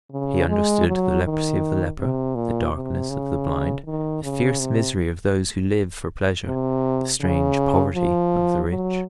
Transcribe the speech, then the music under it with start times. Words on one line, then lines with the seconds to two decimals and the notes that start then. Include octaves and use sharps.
He understood the leprosy of the leper, the darkness of the blind, the fierce misery of those who live for pleasure, the strange poverty of the rich.
0.12 C#3
0.49 G#3
0.87 F#3
1.24 D#3
1.99 C3
2.35 A#2
2.73 C3
3.10 C#3
3.85 D#3
4.23 C#3
4.60 C3
6.46 C3
7.21 C#3
7.95 F3
8.70 F#3